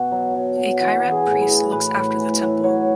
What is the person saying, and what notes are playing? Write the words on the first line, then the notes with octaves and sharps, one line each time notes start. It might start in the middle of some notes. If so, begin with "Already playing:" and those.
A kirat priest looks after the temple.
Already playing: B2 F#4
F#3
F#3
B2
E3 F#4
E3
G#4
A2
B4
E3
A2 B4
A2
E3
A2
F#3 C#5